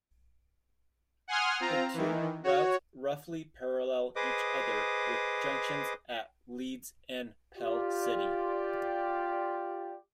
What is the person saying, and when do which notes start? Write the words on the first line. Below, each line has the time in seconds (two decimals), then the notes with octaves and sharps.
The two routes roughly parallel each other, with junctions at Leeds and Pell City.
1.28 F#5 G#5 C6 D#6 F6
1.60 C4 F4 A#5
1.94 D#3 E3
2.43 F#4 C#5
4.16 G#4 B4 C5 D#5 D6 D#6
7.58 F4 G4 D5